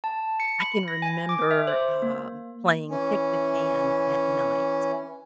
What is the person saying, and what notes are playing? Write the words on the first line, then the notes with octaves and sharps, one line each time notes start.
I can remember, um, playing kick the can at night
A5
C#7
B5
A#6
G#5
D6
E5
C5
A#3
E3 C#4